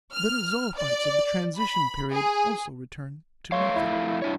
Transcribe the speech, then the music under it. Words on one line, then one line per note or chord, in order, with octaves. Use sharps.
Then the zoophytes of the transition period also return to nothing.
F6
D5
B5
G#4
F2 A3 C#5 F5 C6 C#6
E4
G2 D4 C#5